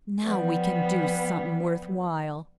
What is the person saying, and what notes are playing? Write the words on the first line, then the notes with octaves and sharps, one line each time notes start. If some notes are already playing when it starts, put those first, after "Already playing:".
"Now we can do somethin' worthwhile."
F3 G3 B3